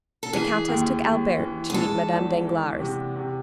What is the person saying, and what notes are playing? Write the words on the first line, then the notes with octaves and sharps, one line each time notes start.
The countess took Albert to meet Madame Danglars.
A4
E3 G#4
D#2
D#2
E3
G#4
G#3 A4
E2
E3
C3
C3